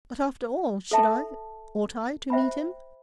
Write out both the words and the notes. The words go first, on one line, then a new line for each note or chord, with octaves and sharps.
But, after all, should I, ought I to meet him?
A4 E5 A5
C5 E5 G5 B5